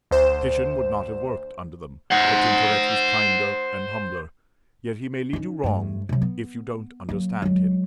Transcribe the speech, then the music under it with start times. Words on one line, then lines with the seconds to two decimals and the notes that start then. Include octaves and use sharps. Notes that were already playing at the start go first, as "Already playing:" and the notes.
Titian would not have worked under them, but Tintoret was kinder and humbler; yet he may lead you wrong if you don't understand him.
0.11 D2 C5 E7
2.11 C5 F#5
5.33 C#4 D#4
5.64 G2 A3
6.09 C3 F#3
6.22 B3
7.09 F#3 A#3
7.42 F#3 G#3